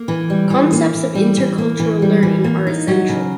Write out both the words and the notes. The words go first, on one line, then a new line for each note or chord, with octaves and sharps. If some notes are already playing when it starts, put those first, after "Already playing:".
Concepts of intercultural learning are essential.
Already playing: A#3
E3
G3
E3
A#3
E3
G3
E3
A#3
E3
G3
E3
A#3
D#4
F#3
C#3